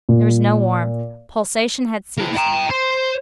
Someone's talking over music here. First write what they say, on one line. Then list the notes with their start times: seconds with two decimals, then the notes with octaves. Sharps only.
There was no warmth. Pulsation had ceased.
0.09 A#2
2.18 A#3 E4
2.37 G5 A#5
2.71 C5 C6